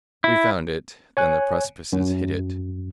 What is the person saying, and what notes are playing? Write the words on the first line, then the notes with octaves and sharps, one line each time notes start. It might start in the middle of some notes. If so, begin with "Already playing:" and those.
We found it; then the precipices hid it.
E4
C#5 G#5 F#6
F#2